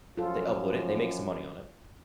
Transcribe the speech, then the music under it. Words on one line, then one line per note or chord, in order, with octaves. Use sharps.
they upload it, they make some money on it.
F#2 F3 F4 A4